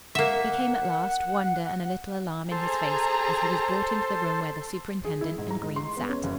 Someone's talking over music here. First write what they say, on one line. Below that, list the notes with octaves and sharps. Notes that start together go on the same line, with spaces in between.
He came at last, wonder and a little alarm in his face as he was brought into the room where the superintendent and Green sat.
A#3 E5 F#5
G#4 A4 C5 A#5
G#4
E4
G#2
A#5
G#3
C6
B3
C#4
F#1